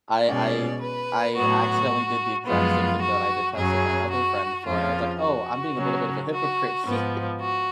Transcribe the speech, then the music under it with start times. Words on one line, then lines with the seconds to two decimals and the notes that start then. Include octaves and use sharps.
I I I accidentally did the exact same thing that I detested my other friend for, and I was like, "Oh, I'm being a little bit of a hypocrite here“
0.26 B2 G#3 C#4 D5
0.81 B4
1.36 A2 F#3 B3 F#4
2.46 F#2 F3 G#3 B3 F4
3.01 F#4
3.56 F#2 C#3 F#3 G#4
4.11 F#4
4.66 F2 C#3 F3 F4
5.21 F#4
5.76 C#3 F#3 C#4
6.31 F#4
6.86 G#2 F3 B3
7.40 F#4